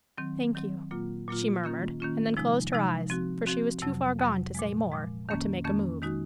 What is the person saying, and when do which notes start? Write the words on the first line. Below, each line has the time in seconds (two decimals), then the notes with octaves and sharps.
"Thank you," she murmured, and then closed her eyes, for she was too far gone to say more, or to make a move.
0.18 D#3 F#3 C4
0.55 D#3 F#3 C4
0.91 A#2 F#3 A#3 F4
1.28 A#2 F#3 A#3 F4
1.64 D#3 A#3 C#4 F4
2.00 D#3 A#3 C#4 F4
2.37 C3 F3 G#3 D#4
2.73 C3 F3 G#3 D#4
3.10 F3 C4 F#4
3.46 F3 C4 F#4
3.82 F2 C3 F#3
4.19 F2 C3 F#3
4.55 A#2 F3 G#3
4.92 A#2 F3 G#3
5.29 F2 D#3 A#3 C#4
5.64 F2 D#3 A#3 C#4
6.02 D#3 G#3 D#4 F#4